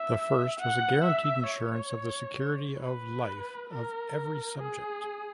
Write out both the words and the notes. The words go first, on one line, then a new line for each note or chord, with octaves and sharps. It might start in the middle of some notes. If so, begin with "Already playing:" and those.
The first was a guaranteed insurance of the security of life of every subject.
Already playing: E5
F#5
E5
C#5
B4
A#4
G#4